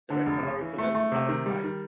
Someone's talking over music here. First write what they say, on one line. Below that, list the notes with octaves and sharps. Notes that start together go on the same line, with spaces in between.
The red colour represents the blood of Christ.
D3
F1
C#3
E3
A3
A3
C3
D#3
G3
D#3